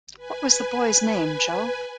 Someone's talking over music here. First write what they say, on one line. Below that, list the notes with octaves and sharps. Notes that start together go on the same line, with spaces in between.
What was the boy's name, Jo?
B4 G#5